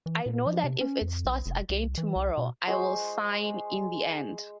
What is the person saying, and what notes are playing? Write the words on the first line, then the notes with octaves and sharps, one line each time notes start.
I know that if it starts again tomorrow, I will sign in the end.
E3
A#2
F3
C3
C#4
F2
B1
F1
C2
E3
C2
B2
G#3 C5 C#6